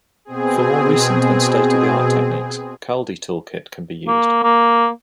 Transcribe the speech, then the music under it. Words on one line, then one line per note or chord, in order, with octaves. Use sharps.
For more recent and state-of-the-art techniques, Kaldi toolkit can be used.
B2 C4 G#4
A#3
A#3